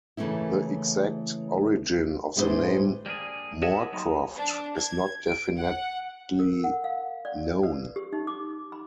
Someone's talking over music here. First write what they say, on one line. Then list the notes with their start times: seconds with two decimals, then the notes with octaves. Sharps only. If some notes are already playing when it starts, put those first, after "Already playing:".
The exact origin of the name Moorcroft is not definitely known.
0.17 C#3 E3 A3 A#3 C#4 E4
2.36 A2 G#3 D4 E4 B4 C5
3.06 G3 A#3 D4 G#4
3.62 G#4 C#5 D#5 E5 F#5 A5
3.92 F#3 A#3 D#4
4.38 D4
4.77 G#6
5.24 D7
5.57 F#5
6.39 A#4
6.64 F#5
6.84 F5
7.25 D5
7.63 B4
7.96 G4
8.13 D#4
8.27 D6
8.72 B5